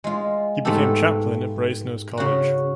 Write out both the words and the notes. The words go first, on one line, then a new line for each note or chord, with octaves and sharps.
He became chaplain at Brasenose College.
G#3 F4
G#2 A3 B3 G4 A4
C#3 F#4